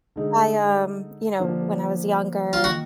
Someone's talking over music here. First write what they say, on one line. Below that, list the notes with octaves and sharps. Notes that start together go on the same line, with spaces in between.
I, um you know, when I was younger,
D3 G#3 D#4
D3 F3 A#3 D4
F4
D#3 A#3 D#4 F#4